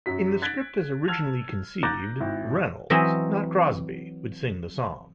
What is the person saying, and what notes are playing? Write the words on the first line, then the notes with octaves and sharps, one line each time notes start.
In the script as originally conceived, Reynolds, not Crosby, would sing the song.
F#2 F#3 B6
F#6 G#6 A6 B6 D7
A5 E6 F6 G#6 F7
A#5 D6 F#6 G6 A6 A#6
G#1 E4
E3 F#3 C4 D#5 E5